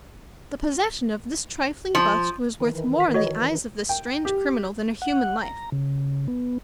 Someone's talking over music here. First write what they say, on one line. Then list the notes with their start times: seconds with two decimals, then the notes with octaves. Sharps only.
The possession of this trifling bust was worth more, in the eyes of this strange criminal, than a human life.
1.95 F3
2.60 D#3 E3
3.00 B6
3.14 F#4 C#5 D#5
3.89 G5
4.25 G4
5.02 F#5
5.42 A#5
5.72 C#3
6.28 B3